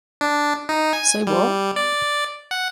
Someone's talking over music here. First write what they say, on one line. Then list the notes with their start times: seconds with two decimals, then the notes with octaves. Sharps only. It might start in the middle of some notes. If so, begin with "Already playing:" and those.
Say what?
0.21 D4
0.69 D#4
0.93 G#5
1.27 G3
1.76 D5
2.51 F#5